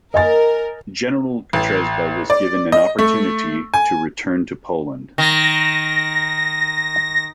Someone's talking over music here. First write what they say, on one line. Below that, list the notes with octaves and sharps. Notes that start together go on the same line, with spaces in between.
General Kutrzeba was given an opportunity to return to Poland.
A#4 D#5 G#5 A6
A1
D5
D#5
A3
G#5
D#3 A#6